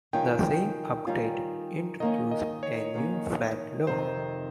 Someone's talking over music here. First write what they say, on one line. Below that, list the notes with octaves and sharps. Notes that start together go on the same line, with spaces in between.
The same update introduced a new flat logo.
D#3 G3 C#4 F4 G5
D#3 G3 C#4 F4
D#3 A#3 C#4 D#5
D#5
C#5
D#3 A#3 C#4
F2 C3 D#3 C5